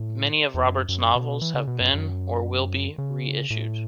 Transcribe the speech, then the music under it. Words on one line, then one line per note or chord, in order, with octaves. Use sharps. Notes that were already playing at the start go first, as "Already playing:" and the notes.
Many of Roberts' novels have been, or will be, reissued.
Already playing: A2
E2
F#2
F#2
B2
E3
C#3
B2
F#2
F#2
C#3
A2